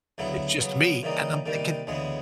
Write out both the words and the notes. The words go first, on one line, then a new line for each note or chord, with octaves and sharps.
It's just me," and I'm thinking,
D2 C#3 F#3 B3 E4
C#3 F#3 B3
C#3 E3 G3 A#3 D#4
C3 D#3 G3 A#3
D2 C#3 E3 G#3 B3